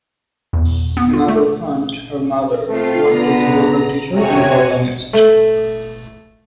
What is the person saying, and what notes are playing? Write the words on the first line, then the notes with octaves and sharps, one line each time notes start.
Minabel Hunt, her mother, worked as a vocal teacher and organist.
E2
B3
F4
A3
A3 C4 F4 C7
D3 B3 A#5
F#2 C3 F#4 C#5 G#5
A3